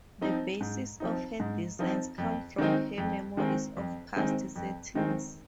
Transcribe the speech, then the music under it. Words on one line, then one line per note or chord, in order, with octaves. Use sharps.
The basis of her designs comes from her memories of past settings.
F3 C4 D#4
G#2
F3 C4 D#4
G#2
F3 C4 D#4
F2
D#3 G#3 C4 D#4
F2
D#3 G#3 C4 D#4
F2
D#3 G#3 C4 D#4
F2
D#3 G#3 C4 D#4